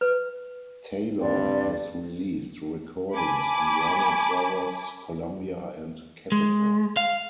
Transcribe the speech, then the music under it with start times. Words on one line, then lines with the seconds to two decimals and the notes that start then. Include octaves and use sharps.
Taylor has released recordings on Warner Brothers, Columbia, and Capitol.
0.01 B4
1.20 G2 C4 D5
3.14 G#5 A5 B5 D6
6.32 G#3
6.97 F5